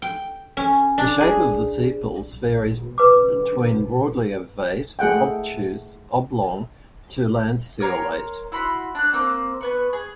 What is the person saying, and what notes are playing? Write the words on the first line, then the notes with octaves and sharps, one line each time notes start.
The shape of the sepals varies between broadly ovate, obtuse, oblong to lanceolate.
G5
C#4
D4
G#4
B4 D6
A3 G#4 F#5 G5
A#4 C#5 A#5 C6
E4 F#4 B5 C6
D4 F#6
A#3 C4 G6
B3 B4 C#6
G#4